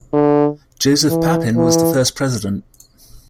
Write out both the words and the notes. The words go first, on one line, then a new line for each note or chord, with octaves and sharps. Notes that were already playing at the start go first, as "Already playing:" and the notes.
Joseph Papin was the first president.
D3
E3
E3